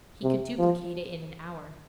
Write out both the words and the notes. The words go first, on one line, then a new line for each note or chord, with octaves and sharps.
He could duplicate it in an hour.
C3
F3